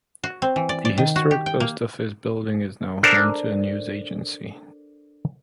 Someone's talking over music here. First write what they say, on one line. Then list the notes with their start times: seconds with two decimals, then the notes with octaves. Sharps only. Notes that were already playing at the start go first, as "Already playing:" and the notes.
The historic post office building is now home to a news agency.
0.24 F#4
0.42 C4
0.56 E3
0.69 D5
0.85 D5
0.98 D#3
1.16 F#4
1.31 G4
1.46 G5
1.60 A#3
3.03 D4 A4 A#4 C5